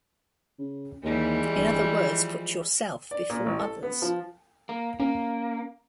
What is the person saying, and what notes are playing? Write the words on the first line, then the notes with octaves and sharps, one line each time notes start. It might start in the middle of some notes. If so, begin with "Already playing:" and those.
In other words, put yourself before others.
C#3
D#2 E3 G3 G#3
G1
F3
D5
A#2
A1
A4
B3
F3
A#3
A#3 C#4